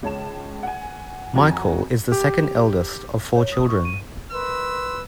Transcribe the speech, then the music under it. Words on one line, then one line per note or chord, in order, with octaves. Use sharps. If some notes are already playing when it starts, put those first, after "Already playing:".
Michael is the second eldest of four children.
C#2 C#5 A5 E7
F#5 G#5
F2 F#4 G#5 A#5
G4
C#5
D#6
C#6
D#7
A#4 B4 D#5 C6 E6